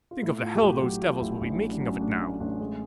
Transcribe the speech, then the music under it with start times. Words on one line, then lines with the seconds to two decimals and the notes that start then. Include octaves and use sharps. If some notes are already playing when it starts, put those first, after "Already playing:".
Think of the hell those devils will be making of it now!
0.11 F4
0.22 A2 E4
0.42 A2 F4
0.55 G4
0.62 A1 F#4
0.82 F#3 G4
1.02 A2 F4
1.21 A1 E4
1.41 A1 D4
1.61 F#3
1.71 D4
1.81 F#3 C#4
2.00 A2 D4
2.20 A2 C#4
2.40 A1 D4
2.60 G#3 C#4